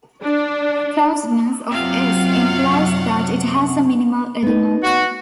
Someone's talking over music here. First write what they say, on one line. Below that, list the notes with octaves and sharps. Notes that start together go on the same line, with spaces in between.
Closedness of "S" implies that it has a minimal element.
D4
F#2 C3 F#3 F4 F5 F#5
B3 D#4
F#4